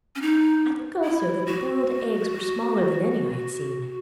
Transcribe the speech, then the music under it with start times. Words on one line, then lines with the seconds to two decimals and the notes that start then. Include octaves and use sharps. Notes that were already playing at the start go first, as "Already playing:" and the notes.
I think also that the boiled eggs were smaller than any I had seen.
0.16 C#4
0.22 D#4
1.04 E4
1.46 F#4